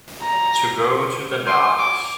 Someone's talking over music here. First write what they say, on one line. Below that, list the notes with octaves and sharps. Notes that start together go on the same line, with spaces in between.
To go to the dogs.
A#5
C6
D6